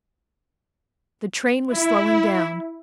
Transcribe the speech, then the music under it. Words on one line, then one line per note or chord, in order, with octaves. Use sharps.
The train was slowing down.
E4